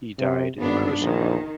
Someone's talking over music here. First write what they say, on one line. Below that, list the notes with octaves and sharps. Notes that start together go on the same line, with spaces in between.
He died in Krusevo.
C3
G#1 G2 B3 D4
A#1 D#3